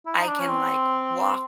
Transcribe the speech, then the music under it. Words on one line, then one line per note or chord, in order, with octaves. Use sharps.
I can, like, walk
E4
D#4
D4
C#4
C4